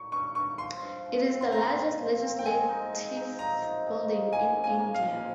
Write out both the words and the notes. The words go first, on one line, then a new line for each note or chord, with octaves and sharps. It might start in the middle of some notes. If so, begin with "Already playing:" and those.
It is the largest Legislative building in India.
Already playing: C#6
G2 C#6
G2 C#6
F3 C6
G2
F3
C4
C6
C4 A#5
C4
F3
C4
G5
G#3 G#5
D#4
G#3
D#4
F3 A#5
D#4
G#3
F3
A#3 G#5
C#3
G#5
A#3
F5
F3